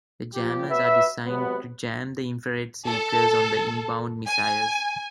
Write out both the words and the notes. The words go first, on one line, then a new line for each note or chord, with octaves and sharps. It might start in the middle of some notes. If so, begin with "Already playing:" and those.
The jammers are designed to jam the infra-red seekers on the inbound missiles.
A#2 F3 G4
F#4 B4 C#5 E5
C3 F#3 G#3 B3
A4
G#5